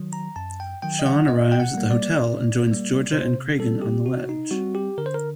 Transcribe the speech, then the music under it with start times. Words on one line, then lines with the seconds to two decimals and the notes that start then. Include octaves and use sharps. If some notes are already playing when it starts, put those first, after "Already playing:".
Sean arrives at the hotel and joins Georgia and Kragen on the ledge.
Already playing: D#3 F#3
0.13 A#5
0.36 F#2 A5
0.60 G5
0.82 D#3 F#3 G5
0.99 D#5
1.06 F#5
1.28 A#2 D#5
1.52 G5
1.60 F#5
1.75 G3 A#3
1.91 D5
2.21 A#2
2.67 G3 A#3
3.12 C3 C5
3.59 G3 C4 A4
3.82 G4
4.05 C3 F#4
4.29 D#4
4.51 G3 C4 F#4
4.75 G4
4.98 D3 A#4
5.06 C5
5.14 A#4